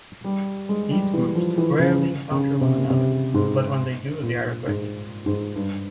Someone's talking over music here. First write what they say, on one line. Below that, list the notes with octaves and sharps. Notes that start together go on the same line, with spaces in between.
These groups rarely encounter one another, but when they do, they are aggressive.
G3
G#3
G3
E3
F3
E3
C#3
C#3
C3
C3
G#2
A#2
G#2
G#2
G2